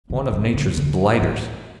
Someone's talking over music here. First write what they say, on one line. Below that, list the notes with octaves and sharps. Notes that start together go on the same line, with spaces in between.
One of Nature's blighters.
D3
E3
D3
D3
A2